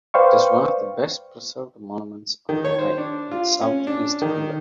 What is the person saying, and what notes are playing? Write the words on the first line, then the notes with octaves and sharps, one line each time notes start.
It is one of the best-preserved monuments of this type in south east England.
B4 C5 D5 F5 G5 C#6
D#3
C#5
C5
D4
F4
C#4
D4
D#3